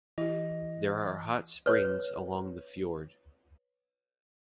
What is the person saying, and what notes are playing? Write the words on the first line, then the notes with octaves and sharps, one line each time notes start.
There are hot springs along the fjord.
E3 E4 G4 D#5
B4 C#5